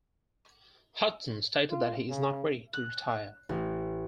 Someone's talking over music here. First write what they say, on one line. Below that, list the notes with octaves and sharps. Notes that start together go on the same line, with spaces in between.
Hudson stated that he is not ready to retire.
F4
C#3
F#6
A1